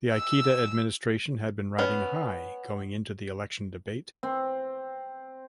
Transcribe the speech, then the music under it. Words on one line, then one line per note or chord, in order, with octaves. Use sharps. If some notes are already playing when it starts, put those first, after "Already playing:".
The Ikeda administration had been riding high going into the election debate.
E6
B3 C#4
C4